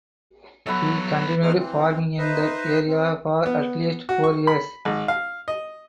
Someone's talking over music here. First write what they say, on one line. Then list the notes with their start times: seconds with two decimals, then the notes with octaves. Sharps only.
He continued farming in that area for at least four years.
0.67 F#3 B3 A4 B4 E5
1.42 B2 A3 C4 D#4 G#4 F6
1.58 E3 C4
2.18 D#4 B4 C5 D#5 E5
2.87 C4
3.46 B3
4.09 F#4
4.24 C#6
4.47 B5
4.85 G#1
5.08 F5
5.48 D#5